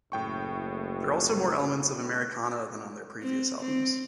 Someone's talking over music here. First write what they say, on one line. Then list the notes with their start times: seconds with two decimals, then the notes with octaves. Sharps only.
There are also more elements of Americana than on their previous albums.
0.12 F#1 A2 G5 C#6
3.22 C4
3.61 C4